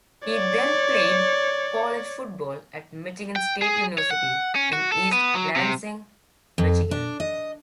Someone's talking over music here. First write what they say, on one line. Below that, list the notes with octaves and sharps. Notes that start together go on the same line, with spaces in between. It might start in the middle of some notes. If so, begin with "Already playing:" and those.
He then played college football at Michigan State University in East Lansing, Michigan.
C#5 D5
G5
G#4
C#5
F#5
C#4
F#4
A4
B3
F#3
C3
F2
D4
D#5